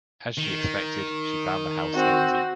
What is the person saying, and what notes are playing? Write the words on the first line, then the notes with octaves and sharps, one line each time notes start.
As she expected, she found the house empty.
D#3
C4 F#4